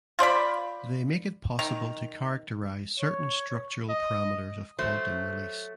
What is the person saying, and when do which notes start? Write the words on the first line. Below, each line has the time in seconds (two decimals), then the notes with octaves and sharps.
They make it possible to characterize certain structural parameters of quantum release.
0.19 F4 C5 D5 B5
1.59 D#3
3.00 C#5
3.89 D#5
4.79 F#3 A3 C5